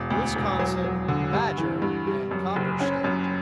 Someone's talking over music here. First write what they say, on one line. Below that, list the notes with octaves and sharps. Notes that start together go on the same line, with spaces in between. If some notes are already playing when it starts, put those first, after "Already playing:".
Wisconsin, Badger and Copper State.
Already playing: E1
D2
E1
F#3
F#3
D3
G2
E3
G2
G3
F#2
F#1
C#4
F#2